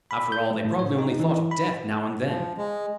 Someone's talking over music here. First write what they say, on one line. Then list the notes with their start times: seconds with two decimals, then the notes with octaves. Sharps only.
After all, they probably only thought of death now and then.
0.11 B5
0.32 G6
0.51 A3
0.65 A2
0.79 C#5
0.99 D#4
1.20 E3
1.51 B5
2.25 F3
2.58 G#3